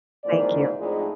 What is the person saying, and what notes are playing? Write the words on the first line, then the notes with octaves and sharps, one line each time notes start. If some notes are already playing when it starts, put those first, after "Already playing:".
Thank you.
F2 G#2 A#3 E4 D5
F2 A2 F3 G#3 D4 D#4